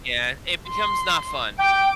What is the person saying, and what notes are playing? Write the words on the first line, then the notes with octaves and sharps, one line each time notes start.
Yeah. It becomes not fun.
C6
G5 D6